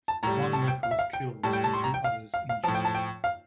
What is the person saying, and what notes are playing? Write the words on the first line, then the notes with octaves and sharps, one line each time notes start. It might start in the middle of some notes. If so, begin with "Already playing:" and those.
One worker was killed and two others injured.
A5
A2 G3 A#5
A5
G5
F5
E5
F5
G5
A2 G3 A5
G5
A5
C6
A#5
G5
F5
F5
F5
A2 F3 A5
G5
A5
G5
F5